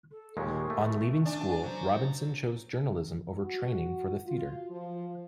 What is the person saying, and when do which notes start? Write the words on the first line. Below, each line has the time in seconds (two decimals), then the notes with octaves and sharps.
On leaving school, Robinson chose journalism over training for the theatre.
0.11 A4
0.37 D#2 A#2 G#3 C#6
0.70 A3
1.25 D4 G#5
1.63 F#3 C5
3.38 F#4
4.26 F4
4.69 F3